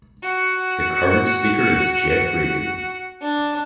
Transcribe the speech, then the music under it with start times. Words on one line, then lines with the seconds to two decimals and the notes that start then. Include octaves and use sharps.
The current Speaker is Geoff Regan.
0.23 F#4
3.21 D4